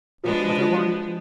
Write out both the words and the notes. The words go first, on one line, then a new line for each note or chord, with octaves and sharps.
"What other one?"
F3 G#3 B3 D4
F3
F3
F3